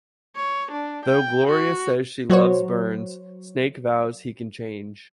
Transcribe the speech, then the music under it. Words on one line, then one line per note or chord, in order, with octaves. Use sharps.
Though Gloria says she loves Burns, Snake vows he can change.
C#5
D4
G5
F#4
F#3 F#4 C5 C#5